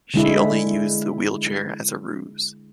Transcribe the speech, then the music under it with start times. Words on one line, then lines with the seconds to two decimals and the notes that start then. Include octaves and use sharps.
She only used the wheelchair as a ruse.
0.14 D3 G#3 E4